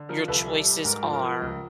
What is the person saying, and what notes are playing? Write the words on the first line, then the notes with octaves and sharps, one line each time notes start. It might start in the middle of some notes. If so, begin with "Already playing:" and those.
your choices are
Already playing: D3
F3 A#4
C2 A4 B4
G3
G3
G#2 A#4
F3
A#4
F3
C#2